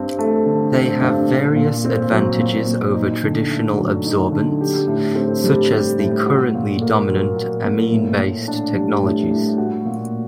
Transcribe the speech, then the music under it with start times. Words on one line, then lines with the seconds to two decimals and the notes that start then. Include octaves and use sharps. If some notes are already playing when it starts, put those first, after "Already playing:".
They have various advantages over traditional absorbents, such as the currently dominant amine-based technologies.
Already playing: G2 C4
0.19 A3
0.46 D3
0.73 C4
1.02 G2
1.28 A#2
1.56 A#2
1.84 C4
2.11 F#3
2.39 A#2
2.67 A#2
2.94 D#4
3.22 D3
3.50 A3
3.77 F#3
4.05 D#4
4.32 D3
4.61 G4
4.87 A2
5.15 C4
5.44 G3
5.71 G4
5.99 A2
6.26 F#4
6.54 A#2
6.82 A#3
7.09 F#3
7.36 F#4
7.65 A#2
7.92 A2
8.20 A2
8.48 D4
8.75 G3
9.03 A2
9.31 A2
9.58 F#4
9.85 A#2